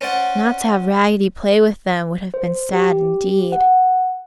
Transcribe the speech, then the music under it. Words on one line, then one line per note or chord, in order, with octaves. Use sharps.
Not to have Raggedy play with them would have been sad, indeed.
C#4 C5 D5 F#5
C5
G4
F#5